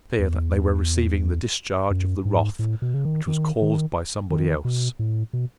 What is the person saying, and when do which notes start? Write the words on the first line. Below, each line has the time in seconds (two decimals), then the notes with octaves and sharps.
It was clear that they were receiving the discharge of the wrath which was caused by somebody else.
0.19 E2
1.91 F#2
2.25 G#2
2.59 A2
2.82 B2
2.94 C#3
3.05 D#3
3.28 D#3
3.62 D#3
4.30 D#3
4.65 B2
4.99 A2
5.33 B2